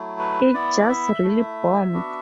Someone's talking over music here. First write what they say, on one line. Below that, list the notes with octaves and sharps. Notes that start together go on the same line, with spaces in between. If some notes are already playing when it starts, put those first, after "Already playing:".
It just really bombed.
Already playing: F#3 A3 E4
B4
B3 E4 D5
E5
A3 E4
B3 D4 F#4